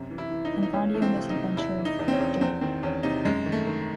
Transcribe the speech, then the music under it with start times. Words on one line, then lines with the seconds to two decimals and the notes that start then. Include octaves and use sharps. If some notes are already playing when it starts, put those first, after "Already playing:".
An Audio Misadventure, dir.
Already playing: F#2 C3
0.10 E3
0.18 E4
0.31 E3
0.45 D#4
0.53 E3
0.63 D#4
0.73 C#2 C#4
0.94 E3 A3
1.02 C4
1.16 C3
1.30 D#4
1.36 C3
1.57 E2 E4
1.78 E3
1.85 D#4
1.99 E2
2.08 C4
2.13 C#4
2.20 E2
2.41 E2 C4
2.61 D#3 C4
2.83 E2 C#4
3.03 C3 D#4
3.25 F#2 G#3
3.46 D#3
3.52 A3
3.67 D#3